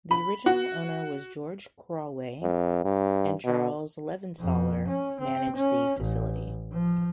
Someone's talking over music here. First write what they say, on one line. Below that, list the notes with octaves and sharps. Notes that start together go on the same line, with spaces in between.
The original owner was George Crowey and Charles Levansaler managed the facility.
B5
F#4
F2
G2
B2
F2
C#4
C4
C#4
A1
F3